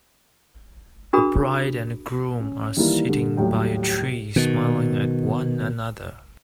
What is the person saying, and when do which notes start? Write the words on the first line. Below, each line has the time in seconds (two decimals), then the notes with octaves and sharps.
A bride and a groom are sitting by a tree smiling at one another.
1.13 D4 F#4 G#4 A#4 B5 D#6
2.40 C#4
2.77 D#3 E3 G3 A#3 E4
3.09 G2 D3
3.37 D#2 A2 F#3 G3 G5
4.36 B2 D#3